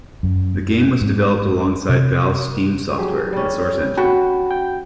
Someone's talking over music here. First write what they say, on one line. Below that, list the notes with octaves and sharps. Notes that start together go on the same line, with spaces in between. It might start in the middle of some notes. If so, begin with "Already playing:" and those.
The game was developed alongside Valve's Steam software and the Source engine.
F#2
G#2
C3
F#3 G4 G#4
G3 C#4
F#4 G5 A5 B5
G5 G6